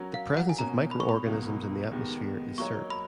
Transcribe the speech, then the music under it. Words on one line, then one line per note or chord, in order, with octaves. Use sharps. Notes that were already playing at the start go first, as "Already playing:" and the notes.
The presence of micro-organisms in the atmosphere is certain.
Already playing: F#3 C#4 F#4 A#4
F5
F#5
G#5
B2 A#3 C#4 A#5
B5
C#6
B5
C#2 B2 F#3 A#3
D#2 D#3 G#3 B3
F#3 A#3 D#4 A#4 C#5 C#6
B5